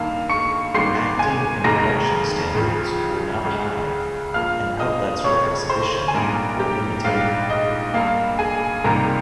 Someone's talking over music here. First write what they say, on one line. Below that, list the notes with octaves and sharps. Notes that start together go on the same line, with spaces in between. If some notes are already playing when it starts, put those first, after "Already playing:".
Acting and production standards were not high and outlets for exhibition were limited.
Already playing: G2 D#3 A#3 F5 F6
C#6 C#7
G#1 G#2 G3 A#3 C6 C7
G#5 G#6
F1 D#2 C#3 G#3 A#5 A#6
C#2 C#3 F3
C#2 C#3 G#3
G2 F3 A#3 F5 F6
D#5 D#6
F1 F2 C#3 C#5 C#6
C5 C6
G#5
A#1 G#2 G3 A#3 A#4 A#5
G4 G5
A#1 G#2 G3 F5
D#5
G2 G3 A#3 F5
G#4 G#5
C#2 C3 D#3 G3 A#3 A#4 A#5